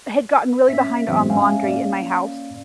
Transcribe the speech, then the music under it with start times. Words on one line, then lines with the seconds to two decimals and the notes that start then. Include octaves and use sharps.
had gotten really behind on laundry in my house
0.69 C#4 E5 B6
1.08 E3 F#3 B3 C4 D4 F#4
1.29 G#3 C#4 E5 F5 G5 G#5
1.63 A#3 C#4 D5 F5